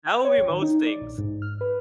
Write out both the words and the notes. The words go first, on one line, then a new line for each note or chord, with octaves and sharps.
that would be most things.
G5
C#5
A1
D#3
D#4
D5
A#1
G#2
F6
B4